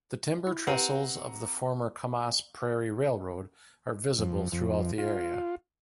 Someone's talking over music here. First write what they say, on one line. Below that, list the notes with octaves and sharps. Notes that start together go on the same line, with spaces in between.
The timber trestles of the former Camas Prairie Railroad are visible throughout the area.
E4
C4 G4 B4 F#5 A#5 D#7
F2
F2
F4